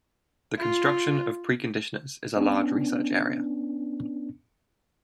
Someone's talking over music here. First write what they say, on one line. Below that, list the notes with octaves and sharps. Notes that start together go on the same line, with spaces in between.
The construction of preconditioners is a large research area.
F4
B3 C#4 D4